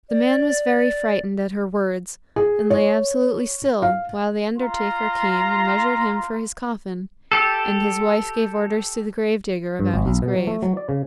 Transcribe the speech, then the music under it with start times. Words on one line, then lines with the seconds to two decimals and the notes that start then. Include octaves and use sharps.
The man was very frightened at her words, and lay absolutely still while the undertaker came and measured him for his coffin; and his wife gave orders to the gravedigger about his grave.
0.10 D5
2.36 G#4
2.70 C#5
3.82 F5
4.59 F4 A#5 C6
7.32 G4 A4
9.80 G2
9.94 G#1
10.06 B1
10.22 B2
10.36 F#3
10.47 A3
10.62 F#3
10.77 D5
10.89 C#3